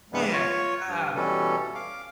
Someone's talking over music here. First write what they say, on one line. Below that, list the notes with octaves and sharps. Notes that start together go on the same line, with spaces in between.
Yeah, uh,
G2 C3 E3 G3 G#3 B3
F4 C#5 C#6
G2
B2 E3 G3 C#4 A4
F5 D6